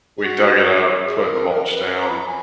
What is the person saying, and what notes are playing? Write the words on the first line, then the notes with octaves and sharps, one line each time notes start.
we dug it up, put mulch down,
G#4
F#4
G#4
A#4
B4
A#4
B4
A#5
B5
A#5
G#5